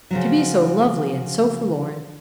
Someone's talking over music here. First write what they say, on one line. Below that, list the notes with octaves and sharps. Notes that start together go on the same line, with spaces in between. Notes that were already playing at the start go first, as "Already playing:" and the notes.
To be so lovely and so forlorn!
C#3 F3 F#3